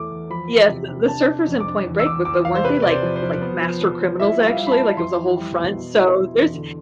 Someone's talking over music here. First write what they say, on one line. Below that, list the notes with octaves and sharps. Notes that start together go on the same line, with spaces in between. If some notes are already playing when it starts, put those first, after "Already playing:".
Yes, the surfers in Point Break, but weren't they like like master criminals, actually? Like, it was a whole front. So there's
Already playing: E2 A3 E4 D6
E2
F3 B5
E2
C3
C3
D4 A5
D4
F2
D6
D4
E2
E6
E2 D6
E2 D6
E2 F5
C5
C3 B4
C3 D5
C5
F3
C5
F3
B3
F3
F3
F3
E4 E5
G3
F5
G3
B5
A5
E4
F2 C6
E3
G3
B3
B2
E4
B2
E2
D3